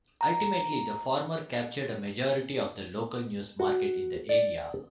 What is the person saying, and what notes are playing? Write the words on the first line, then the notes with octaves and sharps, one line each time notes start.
Ultimately, the former captured a majority of the local news market in the area.
A#5
F#4
D5